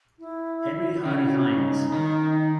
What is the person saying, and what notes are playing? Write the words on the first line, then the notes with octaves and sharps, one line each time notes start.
Henry Hardy Heins.
E4
C#3 E4
F#4
E4
D#4
D#3
D#4